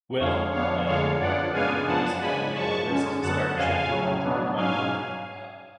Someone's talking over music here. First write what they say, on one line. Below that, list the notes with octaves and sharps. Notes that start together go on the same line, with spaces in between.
well, um, you know, you just have to make a list and start checking them off one by one, um,
F2 D3 G#3 C#5 F5
F2 F3 B3 D4 C#5 F5
F2 D3 G#3 D4 C#5 F5
F#2 F3 B3 D4 D5 F#5
C#3 G#3 B3 D4 F5 G#5
F#2 F3 B3 D4 F#5 A5
C#3 G#3 D4 G#5 B5
F#2 F3 G#3 A5 C#6
D3 G#3 C#4
F#2 D3 F#3 B3 F#5 A5
F2 C#3 F3 F5 G#5
C#3 F#3 C#4
B2 F#3 B3 D4
G#2 F#3 C#4 F5 G#5